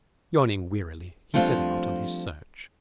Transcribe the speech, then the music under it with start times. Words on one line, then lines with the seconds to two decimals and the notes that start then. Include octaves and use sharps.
Yawning wearily he set out on his search.
1.34 F3 G3 A3 C4 D4 F4